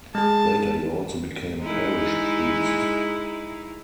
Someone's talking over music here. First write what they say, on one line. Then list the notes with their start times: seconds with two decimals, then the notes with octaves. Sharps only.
Later he also became parish priest.
0.15 G#3 G#4 A5
1.60 G#3 D#4 E4